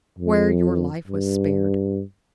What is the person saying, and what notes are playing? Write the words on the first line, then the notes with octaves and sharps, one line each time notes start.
Where your life was spared!
F2
G2